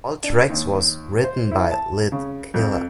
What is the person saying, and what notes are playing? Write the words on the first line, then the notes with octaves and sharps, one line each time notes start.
All tracks was written by Lit Killah.
D4
D#2
C5
E4
A5
C#3
F2